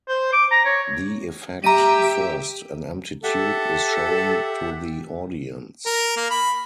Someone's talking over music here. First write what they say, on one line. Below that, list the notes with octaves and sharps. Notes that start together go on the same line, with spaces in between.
The Effect: First, an empty tube is shown to the audience.
C5
D6
A#5
C#5
G4 E5 A#5 D#7
G4 A4 E5 F#5
A#4
A#3
B5